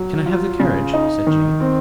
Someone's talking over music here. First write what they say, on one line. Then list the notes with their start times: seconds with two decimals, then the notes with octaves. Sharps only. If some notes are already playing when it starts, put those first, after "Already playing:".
"Can I have the carriage?" said Jane.
Already playing: F#3
0.26 F4
0.59 C#3
0.93 D#4
1.27 D#3
1.60 C4